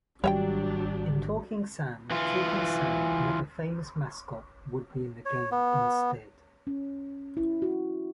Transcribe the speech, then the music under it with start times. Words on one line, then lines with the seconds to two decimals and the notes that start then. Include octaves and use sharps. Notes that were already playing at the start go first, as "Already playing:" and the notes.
In Talking Sam, Toucan Sam, another famous mascot, would be in the game, instead.
0.24 G#1 F#3 G3 D4 G4 C#5 E5 G5
2.11 E3 F4
5.25 C#5
5.52 B3
6.67 C#4
7.37 E4
7.62 F#4